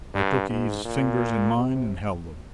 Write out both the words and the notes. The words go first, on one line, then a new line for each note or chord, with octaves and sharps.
I took Eve's fingers in mine and held them.
G2
G#2
A#2
C3